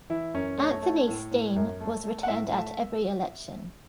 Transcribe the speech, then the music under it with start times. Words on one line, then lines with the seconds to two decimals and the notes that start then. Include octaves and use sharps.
Anthony Steen was returned at every election.
0.10 E3 E4
0.34 F#2 C#4
0.58 A3 C#5
0.82 A3
1.08 A2
1.31 A2
1.56 F#2
1.81 A3
2.04 A3
2.23 F#5
2.28 A2 E5
2.52 A3